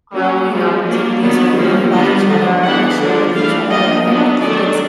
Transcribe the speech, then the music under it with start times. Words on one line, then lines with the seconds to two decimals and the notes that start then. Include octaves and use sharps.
growing opportunities where you learn about each other, and share with each other, and I don't think it's
0.13 F#3 A#3 C#4
0.49 F3 G#3 B3
0.85 F#3 A#3 D4
1.20 D#3 F#3 B3 D4
1.56 F3 A#3 C#4
1.92 D#3 G3 B3 D4 D#5
2.26 F3 A3 D4 D#5
2.62 E3 G#3 B3 D4 F#5
2.98 D3 F3 A#3 D4
3.34 E3 A3 D4 F5
3.70 F3 A#3 D4 D#5
4.06 F#3 B3 D4
4.41 D#3 F#3 A3 D4 D5